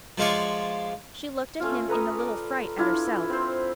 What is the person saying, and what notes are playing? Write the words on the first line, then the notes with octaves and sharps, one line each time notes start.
She looked at him in a little fright at herself.
F3 G#3 F4 C#5 D5
A3 C#4 F4
A4 B4 A#5 D#6
D5
D4 E4 F4
C4 C5